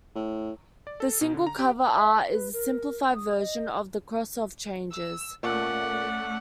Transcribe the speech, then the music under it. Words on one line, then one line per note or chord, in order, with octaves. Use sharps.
The single cover art is a simplified version of "The Cross of Changes".
A2
D5
A4
B2
D3
A#5
G4
E5
B4
A#4
D#6
D#5
E6
A#2 A3 C#4 D5 F#5